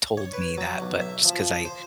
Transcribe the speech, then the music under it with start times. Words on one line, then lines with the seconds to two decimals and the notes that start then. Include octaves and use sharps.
told me that, but just 'cause I
0.17 C#5
0.33 B4
0.58 F#3
0.82 B1
1.01 E5
1.25 F3
1.65 C5